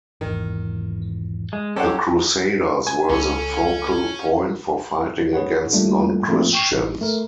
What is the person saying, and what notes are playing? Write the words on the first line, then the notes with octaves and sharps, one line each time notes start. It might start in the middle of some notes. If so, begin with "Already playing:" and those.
The Crusades were the focal-point for fighting against non-Christians.
G#1 E2 D#3
G#3
F#3 C#4 G4 A4 C5 F#5
G#5
C#2 C#4 A4
G#4 B4 C#5 F#5
G3 A3 A#3 D4 F4
F3 A3 A#3 C4 F4
G5 C#6 C7
A1 D#4
A3 A#4